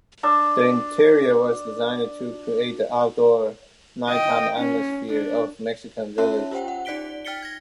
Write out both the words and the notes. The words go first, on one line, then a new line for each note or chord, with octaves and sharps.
The interior was designed to create the outdoor nighttime atmosphere of a Mexican village.
D4 E6
D#5 G5
C#4
D4
C#4 F4 C#5 E5 A5 F#6
F4 G4 C5 F#5 G5
F#5
D#4 D5 F#6 B6 D7 G7
G5 F6 A6 B6 C#7 G7
G#6 A#6